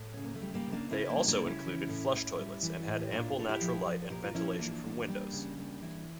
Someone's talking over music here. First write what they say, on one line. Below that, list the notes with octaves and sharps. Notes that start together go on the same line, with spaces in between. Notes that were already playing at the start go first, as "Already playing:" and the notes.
They also included flush toilets and had ample natural light and ventilation from windows.
Already playing: A2
C#3 C#4
A#3
A3
G3
G3 A#3
C#3
A#3 D4
C#3 C#4 E4
A#3 D4
G3
A#3 D4
C#3
C#4 E4
E3
A2
A2
G3
E3
A2
G4
A#2 D4 F4
A#2 A4
E4 G4
F3
F3
A4
A#2 G4 A#4
F4
F3 C#4 E4
E3 A#3 D4
G3
G3
C#3
G3
E3